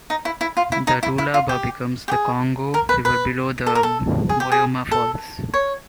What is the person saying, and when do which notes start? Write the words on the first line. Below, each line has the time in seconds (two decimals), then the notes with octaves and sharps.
The Lualaba becomes the Congo River below the Boyoma Falls.
0.10 D#4
0.25 E4
0.41 E4
0.57 F4
0.72 E4
0.87 D#4
1.03 E4
1.18 E4
1.34 F4
1.49 G4
2.08 G4
2.11 G#4
2.74 A#4
2.89 B4
3.05 B4
3.66 A4
3.75 A#4
3.83 A4
4.29 G#4
4.40 G4
4.52 G#4
4.91 A4
5.54 C#5